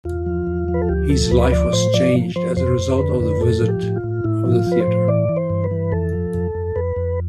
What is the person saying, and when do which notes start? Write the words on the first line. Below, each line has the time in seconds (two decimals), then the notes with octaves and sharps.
His life was changed as a result of the visit of the theatre.
0.05 E2 F4
0.26 F3
0.47 E2
0.68 F3
0.74 B4
0.82 A4
0.89 D2 G4
1.10 F3 A4
1.31 D2 B4
1.52 F3 D5
1.73 A2 C5
1.94 F3 D5
2.15 F3
2.36 F3 C5
2.57 F2 C5
2.78 F2
2.98 D3 B4
3.20 F2
3.40 A2 A4
3.61 F3
3.68 G4
3.83 A2
3.96 F4
4.04 A2
4.24 A2 E4
4.46 F3
4.52 F4
4.67 F3 B4
4.81 C5
4.88 A2
5.08 E3 D5
5.29 E3
5.36 C5
5.50 G2
5.64 B4
5.71 E3
5.92 F2 A4
6.13 F3
6.34 F2
6.55 F2
6.76 F2 B4
6.96 F2